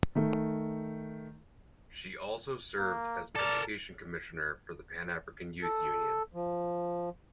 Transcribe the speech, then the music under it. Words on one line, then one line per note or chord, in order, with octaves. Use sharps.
She also served as education commissioner for the Panafrican Youth Union.
D#3 A3
A#3
A4 A#4 D5
A4
F3